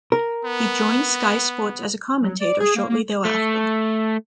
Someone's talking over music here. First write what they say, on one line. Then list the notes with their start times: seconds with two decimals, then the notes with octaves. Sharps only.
He joined Sky Sports as a commentator shortly thereafter.
0.12 A#4
0.45 B3
2.22 F#3
2.40 D5
2.60 G#4
2.76 A#3
2.89 A#3
3.25 A3